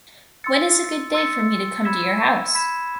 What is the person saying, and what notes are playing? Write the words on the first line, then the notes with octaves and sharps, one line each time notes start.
When is a good day for me to come to your house?
C6 E6 A6 C#7
C6 E6 A6 C#7
B5 E6 G#6 B6 E7
B5 E6 G#6 B6 E7